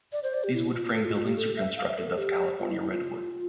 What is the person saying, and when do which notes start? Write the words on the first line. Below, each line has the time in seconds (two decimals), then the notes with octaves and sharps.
These wood frame buildings are constructed of California redwood.
0.12 D5
0.23 C5
0.34 D5
0.44 G4
0.54 E4
0.75 F4
0.96 A4
1.05 F4
1.16 F4
1.26 G4
1.37 A4
1.57 E5
1.77 F5
1.88 E5
1.98 A4
2.03 A#4
2.08 A4
2.18 G4
2.60 F4
2.70 E4
2.80 E4
2.91 F4